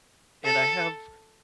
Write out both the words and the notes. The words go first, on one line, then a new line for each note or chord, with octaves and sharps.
and I have,
A4